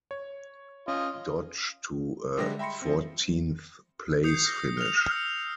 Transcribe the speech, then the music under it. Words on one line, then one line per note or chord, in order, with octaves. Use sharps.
Dodge to a fourteenth-place finish.
C#5
C#4 F4 D#5
D3 G3 G#3 G4 E5 A#6
E5 G5 B5 C6 A#6 C#7
F3 C4
D#6 G6 C7 C#7
A#6
F6 F7
E6 C#7